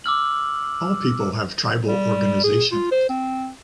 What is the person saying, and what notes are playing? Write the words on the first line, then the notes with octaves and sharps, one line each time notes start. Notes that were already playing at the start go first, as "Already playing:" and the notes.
All people have tribal organization.
D6 E6 F6 F#7
G3
G#4
F4
C5
C4